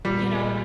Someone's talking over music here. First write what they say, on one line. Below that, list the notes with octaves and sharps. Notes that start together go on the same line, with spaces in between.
you know,
A#2 G3